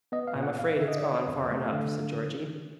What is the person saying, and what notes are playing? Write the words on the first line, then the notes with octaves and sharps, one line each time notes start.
"I'm afraid it's gone far enough," said Georgie.
B3 D#5
F5
A#2
F#5
G1 F5
D3 E5
D#5
D5
D3 C#5
F2
A3
D3 F5